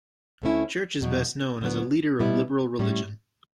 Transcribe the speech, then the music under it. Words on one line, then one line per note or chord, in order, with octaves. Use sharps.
Church is best known as a leader of liberal religion.
D2 D3 A3 C#4 E4
E2 B2 F#3
D2 D3 F#3 B3
B2 G3 B3 E4
A2 G3 C#4